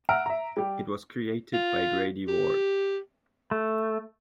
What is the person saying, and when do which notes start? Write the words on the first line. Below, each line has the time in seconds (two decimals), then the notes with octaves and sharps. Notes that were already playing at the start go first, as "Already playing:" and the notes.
It was created by Grady Ward.
0.09 E5 F#5 A#5 E6 F6 D7
0.26 E5 A#5
0.57 G3 G4
1.53 F4
2.28 G4
3.51 A3